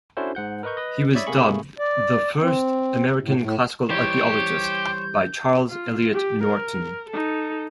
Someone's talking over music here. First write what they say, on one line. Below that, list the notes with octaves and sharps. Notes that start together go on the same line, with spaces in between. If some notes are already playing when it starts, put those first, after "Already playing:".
He was dubbed "the first American Classical Archaeologist" by Charles Eliot Norton.
C#4 D4 E4 F#4 A4 C5
G#2 F#5 G6
A#4 B4 D#5 C#6 G6
B4 D#5
C#5 D5 E5 B5 D#6
C3 A3 A#3 G#4 B5 C#6
D5
C4
A2
A2
E3 G3 G4 C5 C#5 G6
F4
G4
A#4
D#4 A4